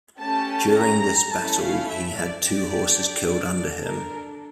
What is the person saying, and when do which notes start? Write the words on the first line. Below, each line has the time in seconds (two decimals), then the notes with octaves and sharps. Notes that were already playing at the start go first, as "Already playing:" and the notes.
During this battle, he had two horses killed under him.
0.20 A3 C#4 G4 A5
0.76 A#5
1.31 A3 C#4 E4 A4 A5
1.61 F5
1.88 E5
2.16 D5
2.44 D4 G4 D5
3.29 D5
3.57 D4 A4
3.85 A#4